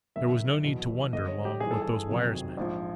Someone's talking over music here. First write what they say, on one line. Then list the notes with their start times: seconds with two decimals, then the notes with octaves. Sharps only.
There was no need to wonder long what those wires meant.
0.16 F#1 F#2 D#3 E5
0.64 E2 B2 F#3
1.12 G1 G2 D3 D#5
1.28 C#5
1.45 G4
1.60 G#1 G2 E3 G#4
1.71 A4
1.82 G#4
2.09 F1 F2 C3 D#3 F#3
2.57 A#1 G#2 F3